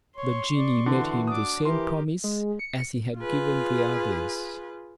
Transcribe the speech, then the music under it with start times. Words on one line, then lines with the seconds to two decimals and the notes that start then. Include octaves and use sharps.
The genie made him the same promise as he had given the others.
0.16 C#5 C6 C#6
0.53 D5
0.86 D3 E3 F#4
1.27 D4 D6 D#6
1.65 E3 G4 A#4 C6
2.24 G#3
2.59 C#7
3.17 F4 G#4 B4